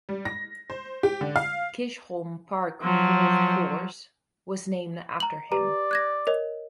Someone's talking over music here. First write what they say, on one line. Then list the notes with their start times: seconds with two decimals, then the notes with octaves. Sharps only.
Chisholm Park Golf Course was named after him.
0.09 G3
0.25 A#6
0.70 C5
1.03 G4
1.21 D3
1.36 F5
2.82 F3 F#3
5.20 A#5 F#7
5.52 G4 B4 D5 A#5
5.91 F#6 G#6 A#6
6.27 A#4 C#5 D#5